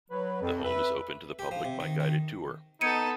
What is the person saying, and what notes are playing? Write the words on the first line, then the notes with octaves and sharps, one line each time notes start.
The home is open to the public by guided tour.
F#3 B4
F2
B4 E5
G4
F3
C3
D#3
D#3
B3 D#4 A4 G#6 C#7 D#7